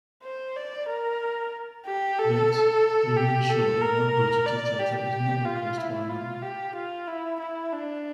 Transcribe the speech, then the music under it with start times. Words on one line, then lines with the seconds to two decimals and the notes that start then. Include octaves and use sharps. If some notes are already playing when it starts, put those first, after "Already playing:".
Yet, we will ensure that one brutal dictator is not replaced by another.
0.23 C5
0.56 D5
0.88 A#4
1.86 G4
2.18 A4
3.17 G4
3.49 A4
3.82 A#4
4.46 D5
4.79 G4
5.45 F4
5.77 E4
6.09 F4
6.42 G4
6.75 F4
7.07 E4
7.40 E4
7.72 D4